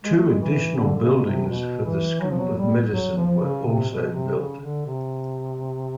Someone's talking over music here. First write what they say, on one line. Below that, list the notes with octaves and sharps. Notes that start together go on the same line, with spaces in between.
Two additional buildings for the school of medicine were also built.
G#3
A3
G#3
E3
D3
D3
C#3
B2
C3
B2
E3
F#3
F3
F#3
G3
F#3
F3
C#3
C3
B2
C3
C#3
D3
C3